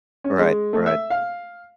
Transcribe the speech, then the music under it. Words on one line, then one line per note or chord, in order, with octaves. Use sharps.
Right, right.
C#4
G#3
A3
E5
F5